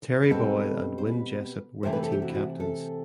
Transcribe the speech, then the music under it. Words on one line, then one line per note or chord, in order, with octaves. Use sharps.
Terry Boyle and Wynn Jessup were the team captains.
B4
B2 G3 C4 A4
C5
B4
C3 E3 A3 C4 C5
B4
A4
G4
F#4
E4
F#4
A4